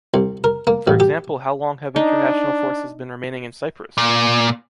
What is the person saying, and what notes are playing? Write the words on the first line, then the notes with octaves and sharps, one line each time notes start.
For example how long have international forces been remaining in Cyprus?
C2
A#4
A#3
A1
G4
D4 D#4
A#2